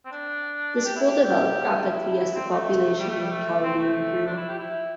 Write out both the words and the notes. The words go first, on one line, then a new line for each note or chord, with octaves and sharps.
The school developed rapidly as the population in Kowloon grew.
C4
D4
D4
G4
E4
G4
G4
E4
C4
A3
G3
A3
G3
A3
C4
A3
D4
E4
G4
E4